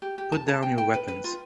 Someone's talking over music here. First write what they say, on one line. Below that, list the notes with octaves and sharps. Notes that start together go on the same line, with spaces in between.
Put down your weapons.
G4
G4
A5
A5
G5
G5
B4
B4
F4